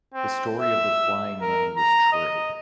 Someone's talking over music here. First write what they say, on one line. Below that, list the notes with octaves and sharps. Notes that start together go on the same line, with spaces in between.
The story of the flying money was true.
C4
E5
A#4
A#5
D#5